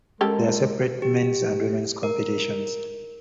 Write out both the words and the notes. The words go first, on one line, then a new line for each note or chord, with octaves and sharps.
There are separate men's and women's competitions.
G#3 C#4 G4 A4 A#4
G4
A#4